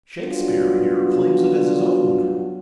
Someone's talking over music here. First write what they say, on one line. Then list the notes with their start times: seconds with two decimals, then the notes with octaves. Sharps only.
"Shakespeare here claims it as his own."
0.20 F#3 G3 B3 D4 F4 F#4